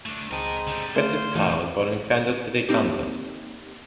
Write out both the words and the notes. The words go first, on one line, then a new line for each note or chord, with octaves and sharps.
Curtis Carr was born in Kansas City, Kansas.
A3 D4
C#2 G#3 C4 D#4 A#4 D#5 A5
D3 G3
A3 G#4 C5 D5 F5
A#2 E3 F#3 A3 D#4
A#3 C4 D#4 G4